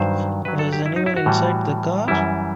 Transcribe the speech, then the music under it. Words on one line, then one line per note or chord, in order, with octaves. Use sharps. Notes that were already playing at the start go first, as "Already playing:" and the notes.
Was any one inside the car?
Already playing: G2 D#3 F#3 C5
G2 F#3 B4
A4
G4
E4
D#4
E4
F#4
A2 E3 G3
F#2 E3 G3 E4